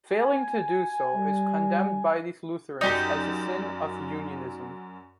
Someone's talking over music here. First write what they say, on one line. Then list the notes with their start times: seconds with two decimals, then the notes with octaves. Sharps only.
Failing to do so is condemned by these Lutherans as the sin of unionism.
0.11 G#5
1.15 G3
2.81 F#2 F#3 D#4 G4 D5